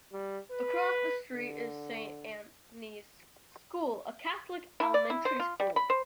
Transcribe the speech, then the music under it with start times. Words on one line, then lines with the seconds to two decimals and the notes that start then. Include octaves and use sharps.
Across the street is Saint Anthony's School, a Catholic elementary school.
0.13 G3
0.51 B4
1.32 D3
4.80 E4
4.94 D5
5.10 E4
5.25 C5
5.40 F4
5.60 G3
5.76 B5
5.90 C5